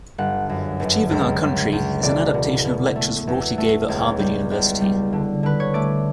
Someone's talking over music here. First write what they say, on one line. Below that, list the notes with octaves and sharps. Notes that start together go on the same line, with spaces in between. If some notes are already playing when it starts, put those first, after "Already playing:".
"Achieving Our Country" is an adaptation of lectures Rorty gave at Harvard University.
G1 F#5
F#2
G1
C#2
C#2
C#2
E1 D5
B2
B2
A3
E2
A3
C#2 C#5
G3
C#2
G3
D3
D3 B4
C#5
A3 D5